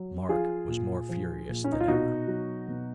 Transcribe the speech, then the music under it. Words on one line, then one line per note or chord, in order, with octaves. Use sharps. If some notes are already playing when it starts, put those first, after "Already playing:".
Mark was more furious than ever.
Already playing: F#3
F3 F4 G#4
A#2
F3
A#2
C#4
D#4
F4
B2 D#4 F#4
F#3
B2